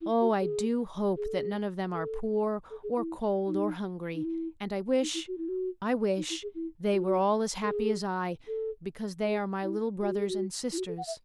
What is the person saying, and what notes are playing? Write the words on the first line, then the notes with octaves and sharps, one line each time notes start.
Oh, I do hope that none of them are poor, or cold, or hungry; and I wish, I wish they were all as happy as I, because they are my little brothers and sisters.
E4
F#4
G#4
G#4
A4
G#4
A4
A4
G#4
E4
D#4
D#4
E4
D#4
E4
F#4
E4
F#4
D#4
E4
G#4
E4
F#4
A4
G#4
A4
G#4
E4
F#4
G#4
F#4
E4
F#4
A4
F#5
E5